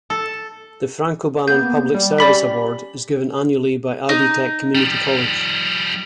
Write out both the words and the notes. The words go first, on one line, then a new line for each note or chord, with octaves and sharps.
The Frank O'Bannon Public Service Award is given annually by Ivy Tech Community College.
A4
A#3 B3 G6
G3
C#4 G4 D5 B5 B6
D#4
F3 G3